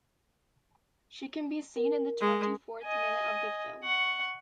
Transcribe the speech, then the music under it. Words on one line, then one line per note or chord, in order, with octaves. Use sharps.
She can be seen in the twenty-fourth minute of the film.
A#4
G#3
D#5 G#5
F#5 C#6